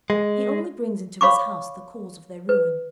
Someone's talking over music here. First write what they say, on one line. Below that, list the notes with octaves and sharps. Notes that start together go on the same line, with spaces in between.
He only brings into his house the cause of their ruin.
G#3
C#5 F5 B5 C#6 D6
B4